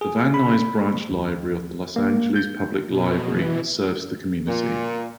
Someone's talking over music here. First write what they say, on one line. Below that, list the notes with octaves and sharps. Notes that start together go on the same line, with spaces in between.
The Van Nuys Branch Library of the Los Angeles Public Library serves the community.
G#4
B5
D#2
A#3
G6
B2
E3
A#2